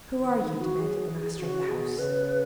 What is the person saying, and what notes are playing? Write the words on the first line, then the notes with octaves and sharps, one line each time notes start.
"Who are you?" demanded the master of the house.
D#3
D#4
E3
F#4
F#3 G#4
E3
C#3 F#4
B2 G#4
C#3 B4